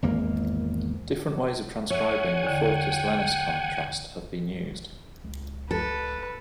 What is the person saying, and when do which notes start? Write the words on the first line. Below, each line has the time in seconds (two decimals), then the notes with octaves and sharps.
Different ways of transcribing the fortis-lenis contrast have been used.
0.02 G#1 E2 A#3
1.90 C#5 E5 F#5 G#5
2.43 E2 D3 G5
5.24 C#2
5.71 A4 B4